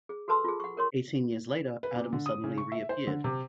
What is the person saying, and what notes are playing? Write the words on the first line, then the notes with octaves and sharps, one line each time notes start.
Eighteen years later, Adam suddenly reappeared.
G#4
F#4 A4 B4 A5 C6 E6
F4 G#4
F#5 C#6
A#4 C#5 C6
B4
A#2
D3
D#6
C#3
C#6
E5
C5
D3
C3